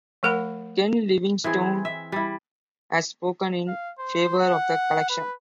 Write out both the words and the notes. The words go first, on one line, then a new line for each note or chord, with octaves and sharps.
Ken Livingstone has spoken in favour of the Collection.
F3 A3 A#4 F#5 B5
E3 C4 G#4
E5
G3 E4
F5
C5
F#5
B4